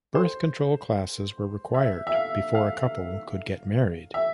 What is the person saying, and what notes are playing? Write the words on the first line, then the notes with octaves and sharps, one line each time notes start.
Birth control classes were required before a couple could get married.
C5
E5
E5
F5
F5
E5